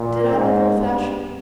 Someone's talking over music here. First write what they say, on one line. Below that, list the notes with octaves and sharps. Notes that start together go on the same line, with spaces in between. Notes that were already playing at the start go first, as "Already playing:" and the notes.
Did I look old fashioned?
Already playing: A#2
G#2
G2